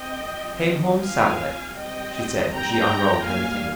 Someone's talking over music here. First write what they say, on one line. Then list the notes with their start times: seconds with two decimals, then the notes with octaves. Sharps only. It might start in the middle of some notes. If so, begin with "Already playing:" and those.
"I came home Saturday," she said, as she unrolled her knitting.
Already playing: C4 D#5 G5
0.27 F3 C4
1.01 F5 G#5
1.75 G3 C4 D#5 G5
2.50 G5 A#5
3.24 D#3 G3 A#3 F5 G#5